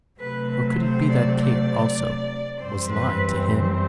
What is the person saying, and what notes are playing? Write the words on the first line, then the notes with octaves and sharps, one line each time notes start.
Or could it be that Kate, also, was lying to him?
C3 F#3 A3 C4 B4
B4
C5
D5
D5
F#2 E3 G3 C4 C5
B4